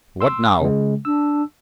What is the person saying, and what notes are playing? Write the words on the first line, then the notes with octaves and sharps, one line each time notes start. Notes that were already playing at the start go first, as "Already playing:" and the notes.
"What now?"
C6 E6
C#3 G#3
D4 E6